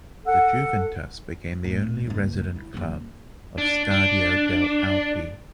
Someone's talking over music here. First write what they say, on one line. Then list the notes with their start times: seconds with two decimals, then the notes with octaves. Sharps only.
The Juventus became the only resident club of Stadio delle Alpi.
0.26 A4 F#5
1.64 D1
2.07 F#1 C#2
2.56 E4
2.74 F#1 F#2
3.58 D4
3.91 D4